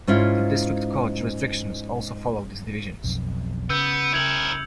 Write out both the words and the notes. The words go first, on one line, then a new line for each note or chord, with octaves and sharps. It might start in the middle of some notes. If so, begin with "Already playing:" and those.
The district court jurisdictions also follow these divisions.
G#2 C#4 E4 F4
B1 F2
C#3 B3 E6 G6 C#7
E4 A#4 G#6 F7 F#7